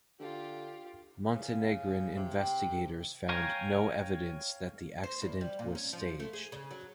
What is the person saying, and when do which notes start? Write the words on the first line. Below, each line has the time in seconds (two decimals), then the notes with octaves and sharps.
Montenegrin investigators found 'no evidence that the accident was staged'.
0.20 D3 F4 G4
1.34 C#3
2.17 C3
2.38 G5
3.29 C#5 F5 G5 G#5 A#5
5.04 C5
5.22 E2
5.41 G3
5.59 A#2
5.75 C#4
5.93 F3
6.20 A3
6.33 G#4
6.52 C#3
6.71 F#3